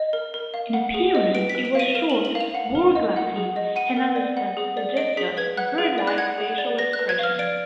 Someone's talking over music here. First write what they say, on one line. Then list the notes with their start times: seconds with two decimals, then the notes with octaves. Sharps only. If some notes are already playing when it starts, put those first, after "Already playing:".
In appearance he was short, wore glasses, and had a sagacious, bird-like facial expression.
Already playing: D#5
0.13 A#4
0.34 A#4
0.54 F5
0.74 F#5
0.94 G#4
1.15 D#5
1.35 B4 D7
1.50 B6
1.55 B4
1.65 D7
1.75 F5 D#7
1.95 A#4 F7
2.10 F#7
2.15 A#4
2.25 F#7
2.35 F5
2.40 F7
2.55 F#5
2.75 A#4
2.95 D#5
3.16 F#5
3.36 G#4
3.56 D#5
3.76 F#5 D#7
3.96 A#4
4.16 D5
4.37 F#5
4.57 G#4
4.77 D5
4.97 D#5 D7
5.17 G#4 B6
5.37 B4 G#6
5.57 F#5 F#6
5.78 G#4
5.98 D5
6.07 F#6
6.18 F#5 G#6
6.38 G#4
6.58 D5
6.78 B4 A#6
6.93 F#6
6.99 B4
7.09 G#6
7.19 F5 F6
7.39 D5 D7